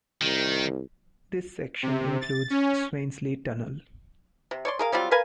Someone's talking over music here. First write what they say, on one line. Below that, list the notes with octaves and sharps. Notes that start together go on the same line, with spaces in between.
This section includes Swainsley tunnel.
C2 D#3
C3
A6
C#4
C3
C#5 D5 C6
G#4 A#4 F5
F#3 G3 C4 F4
A#4 B4 F5 G#5